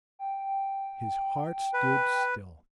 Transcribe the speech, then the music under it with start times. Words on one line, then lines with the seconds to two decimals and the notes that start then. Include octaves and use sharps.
His heart stood still.
0.19 G5
1.74 B4